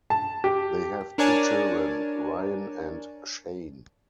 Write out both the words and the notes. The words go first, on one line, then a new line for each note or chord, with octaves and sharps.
They have two children, Ryan and Shane.
A5
G4
D4 A#4 C#5 D5 G#5 A5